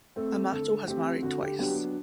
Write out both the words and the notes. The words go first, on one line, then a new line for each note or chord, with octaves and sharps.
Amato has married twice.
A3 C4 A4
D3 A4
A3 C4 G4
D3 F#4
G4
F#3 B3 D4 G4